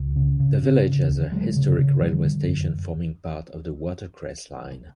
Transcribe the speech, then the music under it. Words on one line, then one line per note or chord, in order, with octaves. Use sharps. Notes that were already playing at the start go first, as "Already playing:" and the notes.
The village has a historic railway station forming part of the Watercress Line.
Already playing: C#2
C#3
C#3
C#3
C#3
D2
D2 F#3 G#3
C#3
C#3
D3 F3 G3
D3
F#2